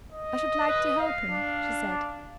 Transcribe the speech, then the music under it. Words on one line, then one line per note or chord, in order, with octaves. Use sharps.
'I should like to help him,' she said.
D#5
B4
F5
D4